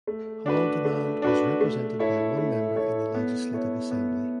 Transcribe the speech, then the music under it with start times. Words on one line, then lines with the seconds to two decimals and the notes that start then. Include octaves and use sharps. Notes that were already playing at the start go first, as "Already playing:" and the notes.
Haldimand was represented by one member in the Legislative Assembly.
0.07 A3
0.46 D4 F#4 B4
0.85 A3
1.22 D4 F#4 B4
1.61 A3
1.99 E4 A4 C#5
2.38 A3
2.76 E4 A4 C#5
3.14 B3
3.53 E4 A4 C#5
3.91 B3